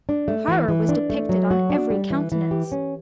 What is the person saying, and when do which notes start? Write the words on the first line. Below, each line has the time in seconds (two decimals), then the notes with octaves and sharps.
Horror was depicted on every countenance.
0.09 D4
0.28 A3
0.48 E3
0.68 E3
0.89 D4
1.10 A3
1.29 F#3
1.51 F#4
1.70 D4
1.90 G3
2.10 E3
2.32 E3
2.51 G4
2.72 C#4